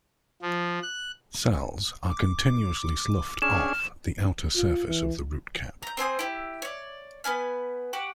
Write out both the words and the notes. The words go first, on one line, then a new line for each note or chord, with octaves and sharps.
Cells are continuously sloughed off the outer surface of the root cap.
F3
F#6
D6
C#4 D4 G#4 F6 E7
F4
E3
A#5 G6
C4 C5 G#5 D#6
E4 G4
C#5 D5
B3 B4 G#5 F6
F#4 G4 F#5